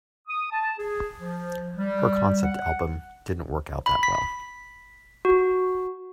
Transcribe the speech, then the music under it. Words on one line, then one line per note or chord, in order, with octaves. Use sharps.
Her concept album didn't work out that well.
D#6
A5
G#4
F3
G3
F#5
B5
B6
F#4